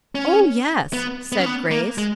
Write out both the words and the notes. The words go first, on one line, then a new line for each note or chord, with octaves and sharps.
"Oh yes," said Grace.
C#4
B3
B3
C#4
B3
A#3
G#3